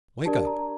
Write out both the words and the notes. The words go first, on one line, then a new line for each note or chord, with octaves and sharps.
Wake up!
D4 G4 A#4 D5 A5
A#5